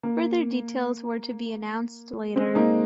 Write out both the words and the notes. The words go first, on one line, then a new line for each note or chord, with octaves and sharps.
Further details were to be announced later.
A#3
G#3 C4
A#3 D#4